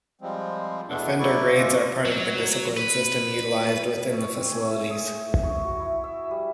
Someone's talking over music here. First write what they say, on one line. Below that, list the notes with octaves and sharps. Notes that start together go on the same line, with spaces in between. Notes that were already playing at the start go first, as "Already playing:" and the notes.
Offender grades are part of the discipline system utilized within the facilities.
F3 G3 G#3 C4
E2 B2 A3 B3 D4
F#3 E4 D5 C#6
F#2 G#3 F4 E5 C#6 D6
F#3
B4
C#6
C4
G#5
E5
G#4
C#6
F#4
E4
E5
G3